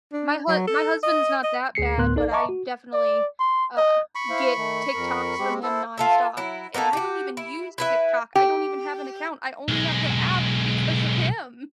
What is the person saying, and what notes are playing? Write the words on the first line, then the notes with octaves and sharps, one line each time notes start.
my hu my husband's not that bad but I definitely, uh, get TikToks from him nonstop and I don't even use TikTok, I don't even have an account, I only have the app because of him.
D4
F#3
A4
D#5
D#5
D2 G#4 C7 C#7
D2 A2 B3 A#4 C6 F#6
A#1 D#4 A4 D5
D#5 E5 A5 A#5 C#6 D6
F#4
D5
C6
D#5
B5 C#6
E4 C5 F5
D#3 A3
F2 A#4
G#3 C4 G4
E4 A4 C5
F4 A4 E5
F#3 E4
A#3 B3 D#4 A4
F#4 G4
E4
E4 B4 E5
G4
B1 G#3